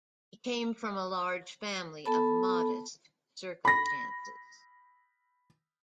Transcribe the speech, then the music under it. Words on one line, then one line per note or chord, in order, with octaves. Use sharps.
He came from a large family of modest circumstances.
B3 A4 A5 B5
B5 A#6